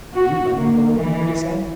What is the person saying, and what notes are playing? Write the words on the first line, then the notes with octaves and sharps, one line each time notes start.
"Will you lend me the Little Mill?" he said.
F#4
A#3
E3